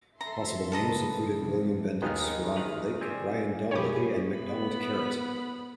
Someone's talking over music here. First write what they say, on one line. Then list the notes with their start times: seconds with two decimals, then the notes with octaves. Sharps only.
Possible names included William Bendix, Veronica Lake, Brian Donlevy, and MacDonald Caret.
0.21 A4 E5 A#5 C6
0.72 C#3 A4 B4 D#5 A#5
1.37 C3 E3 F3
2.02 D#2 G#3 B3 D#4 G#4 F6
2.56 D#3 B4 A#5
3.01 C4 G4 C5 D5 G#5
3.71 B2 G4 G#4 C#5 G5 G#5 B5 D6
4.38 B3 B5